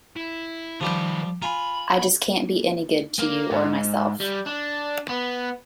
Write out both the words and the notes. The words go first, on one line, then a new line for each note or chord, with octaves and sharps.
I just can't be any good to you or myself.
E4
D#3 F3 G3 G4 B4
F4 G#5 A#5 B5
A#3
G#2
G3
D4
B3